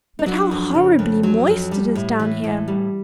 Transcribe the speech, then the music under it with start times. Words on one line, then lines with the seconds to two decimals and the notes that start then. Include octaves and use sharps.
But how horribly moist it is down here!
0.19 D#4
0.26 F#3 D4
0.51 F2
0.75 C#3
0.99 F2
1.23 F#3
1.47 F2
1.71 G3
1.95 A2
2.19 E3
2.44 A2
2.68 G3